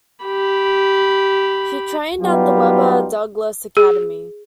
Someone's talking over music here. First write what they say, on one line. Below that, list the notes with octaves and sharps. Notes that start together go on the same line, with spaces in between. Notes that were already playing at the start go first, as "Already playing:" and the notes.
She trained at the Webber Douglas Academy.
G4 B5
F#3 G3 B3 D#4 F4 G4
G#4